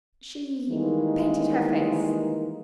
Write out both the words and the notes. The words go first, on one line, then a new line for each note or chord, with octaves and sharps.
"She painted her face."
D#3 E3 G3 G#3 A#3 D#4